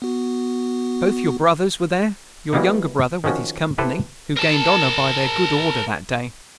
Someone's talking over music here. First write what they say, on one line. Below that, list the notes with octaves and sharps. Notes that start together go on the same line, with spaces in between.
Both your brothers were there; your younger brother with his company, who gained honor by their good order that day.
B3 F#4
E3 F#3 G3 A#3 B3 D#4
D#3 F3 C#4 F#4
E4 G4 A4 B4 C5
A#4 A5